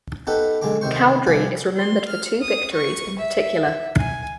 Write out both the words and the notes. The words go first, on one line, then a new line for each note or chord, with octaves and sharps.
Cowdrey is remembered for two victories in particular.
B3 D#4 G4 A4 B4
B1 D3 G#3 A#5 D6
C3 D#3 C5 C#6
C2 C3 F3 G#5 D6
C6
F6
D#6
C#6
E5
G#5